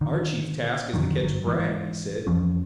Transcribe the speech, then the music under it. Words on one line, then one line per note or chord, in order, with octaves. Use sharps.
"Our chief task is to catch Bragg," he said.
D3 D#3
F2 D3 D#3 F#3
G1 F#3
G#2 E3
F2 E3 F3 C#4